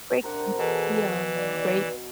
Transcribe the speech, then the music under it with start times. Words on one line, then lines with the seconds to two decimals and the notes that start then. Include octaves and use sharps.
Great, m yum, great
0.23 C3 D4 G4 A#4 C5 F#5
0.58 B2 E3 G#4 A4 B4
1.36 D#3 D5 F5